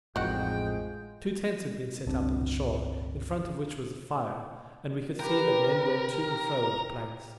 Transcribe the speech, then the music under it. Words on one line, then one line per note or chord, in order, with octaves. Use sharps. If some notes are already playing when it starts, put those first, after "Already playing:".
Two tents had been set up on the shore, in front of which was a fire; and we could see that men went to and fro with planks.
A1 F2 A2 D#3 F3 G#3 F#4 G5
G1 C#2 C4 D4
G4 A#4 B4 G5